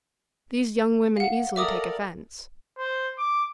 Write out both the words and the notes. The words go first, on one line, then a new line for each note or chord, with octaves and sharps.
These young women easily take offense.
F5 F#5
A4 A#4 D5 E5 D6 D#6
C5
D6